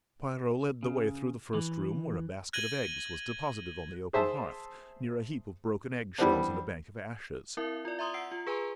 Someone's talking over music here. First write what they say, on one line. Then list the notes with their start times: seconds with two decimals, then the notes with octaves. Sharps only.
Piero led the way through the first room, where a basket of eggs was deposited on the open hearth, near a heap of broken egg-shells and a bank of ashes.
0.83 C#3
1.54 E3
2.53 F#6 G#6 A#6 D#7 F#7 G7
4.13 G#4 C5 E5 A5
6.18 E3 G3 B3 C4 D4
7.57 C4 E4 A#4 E5
7.85 F4 D5
7.99 E5 A#5 C6 D#6
8.14 F#5 E6 C7 D7
8.32 F4
8.47 G#4 B4 G#5 A#5 C6